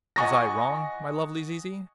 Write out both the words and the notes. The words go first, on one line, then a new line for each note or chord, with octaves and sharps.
Was I wrong, my lovely Zizi?'
D#5 F#5 G#5 C#6 D#6 A#6